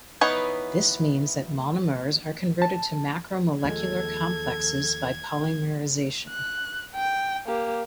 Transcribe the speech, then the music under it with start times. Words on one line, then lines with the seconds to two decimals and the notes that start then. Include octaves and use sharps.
This means that monomers are converted to macromolecular complexes by polymerization.
0.21 E3 B3 D#4 C#5
2.62 A5
3.64 D#2 F3 G#3 A4 G#6
6.29 F#6
6.95 G5
7.47 A#3 G4